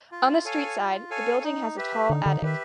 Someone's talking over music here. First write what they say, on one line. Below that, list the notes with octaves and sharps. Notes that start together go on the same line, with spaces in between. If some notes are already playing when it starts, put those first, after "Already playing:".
On the street side, the building has a tall attic.
F4
A4 C#5 F5 G#5
F4
A4 C#5 F5 G#5
D#4
G4 B4 E5
D3 D#4
D3
D#3 G4 B4 E5